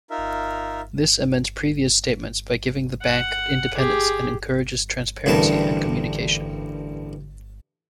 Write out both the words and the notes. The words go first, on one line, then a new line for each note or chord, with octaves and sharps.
This amends previous statements by giving the bank independence and encourages transparency and communication.
D#4 F4 A#4 E5
F#5
G4 G#4
A1 D2 G2 G3 A#4 A5